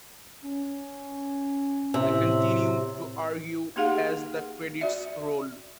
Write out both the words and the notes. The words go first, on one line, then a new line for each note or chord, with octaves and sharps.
They continue to argue as the credits roll.
C#4
A2 C3
A#3 D#4 G4 G#4 F5 F#5
F#4 D5 E5